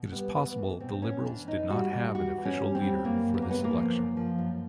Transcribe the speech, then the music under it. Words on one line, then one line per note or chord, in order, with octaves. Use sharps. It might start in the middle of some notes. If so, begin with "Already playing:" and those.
It is possible the Liberals did not have an official leader for this election.
Already playing: B2
G3 B3
E2 B3
E2
B2 C4
B2 C#4
E2 D4
E2 D#4
G3 F#4
G3 F#4
G3 F#4
E2
C#4
G3
C4
G3
F#2 A#3
F#2
B3
A#3
C#3 B3
A#3
F3
F#2
F3
F#2